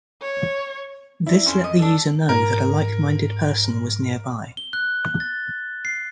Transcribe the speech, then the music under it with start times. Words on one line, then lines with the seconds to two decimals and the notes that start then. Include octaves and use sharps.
This let the user know that a like-minded person was nearby.
0.22 C#5
1.27 D4 E4
1.46 F2 C#4 E4 C5
1.64 D#5
1.79 D4 A4
2.29 G#2 A#4
4.57 G7
4.73 F#6
5.20 A6
5.85 C7